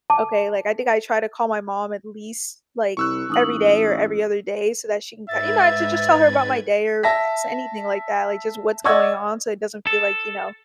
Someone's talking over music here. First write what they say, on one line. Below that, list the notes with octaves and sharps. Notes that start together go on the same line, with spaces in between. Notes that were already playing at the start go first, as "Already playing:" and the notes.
okay, like, I think I try to call my mom at least, like, every day or every other day so that she can kin you know, to just tell her about my day or s anything like that, like, just what's going on, so it doesn't feel like, you know,
A5 D6
C2 C#6 E6 F#6
A1 D#4 D#6 F#7
G#2 B4 E5 G#6 A6
E5 A5 A#6 B6
D5 D#5 F#5 C#6 E6 G#6
A4